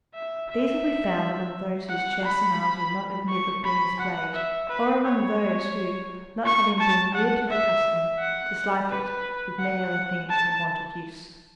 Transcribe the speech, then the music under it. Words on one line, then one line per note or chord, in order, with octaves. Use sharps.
These will be found among those whose chest and arms will not admit of being displayed, or among those who, not having been reared to the custom, dislike it with many other things from want of use.
E5
E5
F#5
B5
C#6
B5
F#5
E5
B4
C#5
C#6
A5
F#5
E5
F#5
B4
F#5
A5